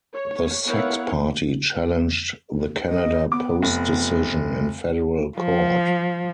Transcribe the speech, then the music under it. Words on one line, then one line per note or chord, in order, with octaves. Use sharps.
The Sex Party challenged the Canada Post decision in federal court.
C#5
B3 E4 A#4 C#5 F5 F#5
D#5
B3 D6
F1
F3